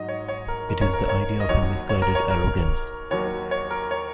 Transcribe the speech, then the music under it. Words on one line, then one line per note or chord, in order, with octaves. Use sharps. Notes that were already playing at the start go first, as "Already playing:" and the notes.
It is the idea of a misguided arrogance.
Already playing: G#2 F#3 D#5
C#5
C#5
A#4
A#4
C#5
A#4
C#5
D#5
D#2 D#3 F#3 C#5
C#5
A#4
C#5
A#4
D#2 D#3 F#3 C#5
C#5
A#4
C#5